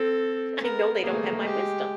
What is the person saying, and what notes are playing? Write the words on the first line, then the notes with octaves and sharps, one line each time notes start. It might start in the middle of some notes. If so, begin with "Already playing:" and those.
I know they don't have my wisdom.
Already playing: C4 A4
B3 A#4
A#3 G#4
A3
A#3
A3
G#3 G4